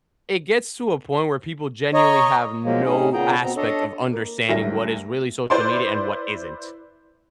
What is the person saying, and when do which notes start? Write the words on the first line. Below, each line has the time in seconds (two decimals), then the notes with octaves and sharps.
it gets to a point where people genuinely have no aspect of understanding what is really social media and what isn't.
1.94 C#5 D#5 A#5 C#6
2.64 F3 F#3 G#3 A#3
2.85 A2 C#4 D#4 G#4
3.13 A#2 C#3 B3 G#4 G5 A#5
3.43 B2 B3 C4 A#5
3.57 D4 A4 C#5 D#5
4.13 A#3
4.49 D2 G2 F#3 A#4 E5 A#6
5.50 E4 B4 C5 D5 C6